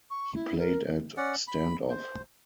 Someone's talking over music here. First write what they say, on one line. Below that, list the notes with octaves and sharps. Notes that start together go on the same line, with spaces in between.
He played at Stand Off.
C#6
E4
A#4
C#4 D5 F#5
B5
C5